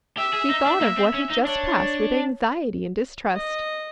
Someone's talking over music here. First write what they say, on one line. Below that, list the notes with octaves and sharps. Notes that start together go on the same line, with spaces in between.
She thought of what had just passed with anxiety and distrust.
G4 E5
G#4
D#4
D4
A#3
C4
C#4
D#4
D4 C#5
D#5